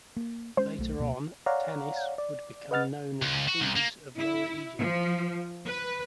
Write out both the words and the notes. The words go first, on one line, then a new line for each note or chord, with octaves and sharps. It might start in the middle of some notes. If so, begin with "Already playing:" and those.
Later on, Tanis would become known as Thebes of Lower Egypt.
A#3
G#3 C#4 C5
B1 A3
C#2 B2 A#3
C#5 D5 F5 F#5 A#5
D5
B4 D#5 F#5 F6 A6
C#2
F#4
C2
A#3
E4
F3
B4